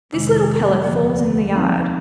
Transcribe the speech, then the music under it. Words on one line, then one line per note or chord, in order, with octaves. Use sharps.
This little pellet falls in the yard.
F2 C3 D#3 G#3 D4
D#2 D3 F3 A#3
F3 C4 D#4